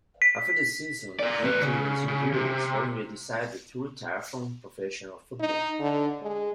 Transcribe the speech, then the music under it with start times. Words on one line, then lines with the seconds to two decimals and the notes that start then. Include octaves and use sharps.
After the season, due to his injuries Bollinger decided to retire from professional football.
0.22 B6
1.19 A#4 D5
1.43 A2 B4
1.62 C#3
2.08 C#3
2.33 C3
5.40 D#4
5.80 D3
6.22 G#3